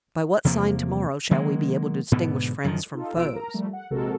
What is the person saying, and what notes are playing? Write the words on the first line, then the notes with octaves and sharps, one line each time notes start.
"By what sign to-morrow shall we be able to distinguish friends from foes?"
E2 C3 F3 A#3
D#3 F#3 G#3 A#3
G#2 B2 D3 B3
F#2 D#3 F3
D#4 F4 A4
B1 F4 E6 D7
A#4 A#5
F3 G3 A3
F#5
A#1 C3 G#3 F#4 A4 A#4